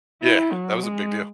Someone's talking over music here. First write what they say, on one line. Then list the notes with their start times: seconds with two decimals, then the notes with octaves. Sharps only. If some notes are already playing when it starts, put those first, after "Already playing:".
Yeah, that was a big deal.
0.22 E4
0.52 F#3
0.83 G#3